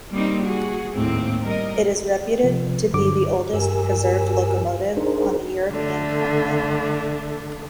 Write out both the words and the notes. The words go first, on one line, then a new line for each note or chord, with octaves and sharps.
It is reputed to be the oldest preserved locomotive on the European continent.
G3 A#3 C4 D#4
F#4 G#4
D#2 A2 A#3 C4
G3 A#4 D#5
C3 F3
G2 D3 F#3 D6
G2 G4 A#4 G#5 E6
D4 D#4 G#4 A#4 C5
D3 A3